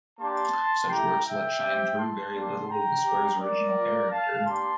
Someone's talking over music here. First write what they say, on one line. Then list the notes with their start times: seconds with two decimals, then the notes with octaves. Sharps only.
Such works let shine through very little of the square’s original character.
0.18 A#3 D4 G4 A5 C6
0.89 A3 E4 G4 G5 A#5
1.25 E5 G5
1.61 C4 G4
1.96 A5 C6
2.32 G3 A#3 D4
2.68 G5 A#5
3.03 G3 C4 G4
3.38 A#4 D5
3.74 A#3 F4
4.09 F5 A5
4.45 A#3 D4 G4 A5 C6